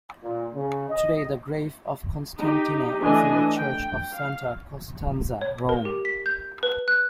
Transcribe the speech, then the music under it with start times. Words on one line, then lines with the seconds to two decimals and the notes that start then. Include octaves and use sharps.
Today, the grave of Constantina is in the church of Santa Costanza, Rome.
0.23 A#2
0.54 C#3
0.90 D#5
2.39 D#4 G4
3.02 E3 A3 D4 D#5 G#5
3.56 G5
4.14 F5
5.41 C#5
5.69 A#4
5.85 G4
6.05 B6
6.26 G6
6.63 B4
6.88 F#6